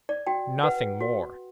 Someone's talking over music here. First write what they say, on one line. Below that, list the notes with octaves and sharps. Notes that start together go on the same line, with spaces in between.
Nothing more.
D5
F#4 G5
B4 F#5
F#4